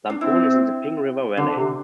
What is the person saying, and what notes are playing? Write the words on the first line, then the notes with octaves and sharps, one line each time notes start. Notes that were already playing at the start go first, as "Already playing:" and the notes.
Lamphun is in the Ping River valley.
D4
C4 E4
D3 D4
C3